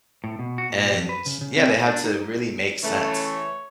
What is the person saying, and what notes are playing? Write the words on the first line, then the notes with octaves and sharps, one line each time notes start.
and, yeah, they have to really make sense,
A2
B2
F#4
A#2
F2
B4
C#3
C#3
C4
G#5
D4
D#4
C#3 E3 A3 C#5